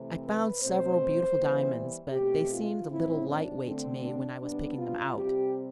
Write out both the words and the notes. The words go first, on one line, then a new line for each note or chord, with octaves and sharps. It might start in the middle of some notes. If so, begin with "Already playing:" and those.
I found several beautiful diamonds, but they seemed a little light weight to me when I was picking them out.
Already playing: C3 E3 A3 C4
B4
B2 A3 C4 C5
E3 G3 B3
B2 A3 C4 G4
F4
A2 F3 C4 E4
D4
D3 A3 C4
D4
C3 G3 B3 D4
F4
C3 G3 C4 G4